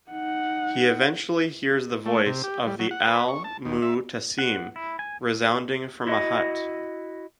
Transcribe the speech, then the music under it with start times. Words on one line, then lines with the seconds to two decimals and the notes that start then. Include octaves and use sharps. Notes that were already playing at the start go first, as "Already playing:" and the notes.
He eventually hears the voice of the Al-Mu'tasim resounding from a hut.
0.11 D#4 F#5
2.06 A3
2.26 C3
2.44 G4
2.67 G3
2.79 F#3
2.91 F#5
3.08 B4
3.28 C#6
3.44 A5
3.65 D#2
3.82 E5
4.39 F#5
4.76 E4
4.99 G#5
6.07 E4 F#4 D#5